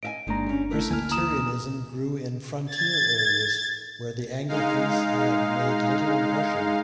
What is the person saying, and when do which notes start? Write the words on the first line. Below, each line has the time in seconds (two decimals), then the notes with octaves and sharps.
Presbyterianism grew in frontier areas where the Anglicans had made little impression.
0.03 D#5 E5 G#5 D7
0.27 G1 D#3 G#3 A#3 D4 A#5
0.46 G3 C#4
0.71 A3 E4 A#4
0.91 D2 A#3 E4 G#5 F6
1.11 A#5 D#6 E7
2.72 G#6 A6
4.48 G#3 D#4 F5